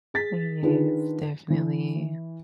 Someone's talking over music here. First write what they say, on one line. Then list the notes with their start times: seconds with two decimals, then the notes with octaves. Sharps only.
Yes, definitely,
0.14 G#4 A6 B6
0.63 D#3 D4 D#4 F4 G#4 B4
1.50 E3